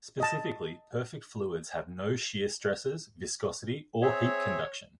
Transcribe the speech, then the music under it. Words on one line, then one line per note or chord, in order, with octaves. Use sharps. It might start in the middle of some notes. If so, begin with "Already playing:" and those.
Specifically, perfect fluids have no shear stresses, viscosity, or heat conduction.
D#5 A5
C4 G#4 C#5 E5